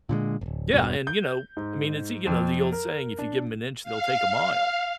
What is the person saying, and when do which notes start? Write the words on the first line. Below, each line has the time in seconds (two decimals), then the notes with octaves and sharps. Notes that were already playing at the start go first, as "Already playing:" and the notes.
yeah, and, you know I mean, it's you know, the old saying, "If you give 'em an inch, they'll take a mile."
0.09 A#2 D3 F#3 G#3
0.41 D1 G1
0.73 E1 G2 B2
1.07 G6
1.57 G#2
2.26 F2
2.72 A#4
3.19 D4
3.83 F5